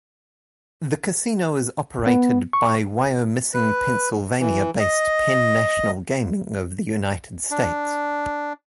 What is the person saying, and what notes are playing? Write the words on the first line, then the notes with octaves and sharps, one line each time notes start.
The casino is operated by Wyomissing, Pennsylvania-based Penn National Gaming of the United States.
B3
C#6
B4
E3
D#5
D4